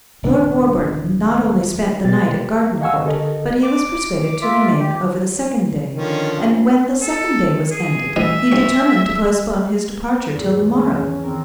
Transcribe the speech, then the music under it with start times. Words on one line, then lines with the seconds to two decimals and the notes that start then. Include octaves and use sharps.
Lord Warburton not only spent the night at Gardencourt, but he was persuaded to remain over the second day; and when the second day was ended he determined to postpone his departure till the morrow.
0.23 D#1 C3 D4
2.04 B2 G4 A6
2.34 G4
2.81 D#5 F5 F#5 G#5 C#6 E6
3.04 D3 G4 A4 A#4 D#5
3.63 D6
4.42 F4 E5 D6
4.80 G4
5.94 D3 D#3 F3 C#4
6.36 A#1
7.01 A4
7.71 G#4
8.16 A1 E3 D#5 E5
8.52 A#1 C#6
10.32 E2 G#2
10.83 C#4
11.23 D#2 C4 A#4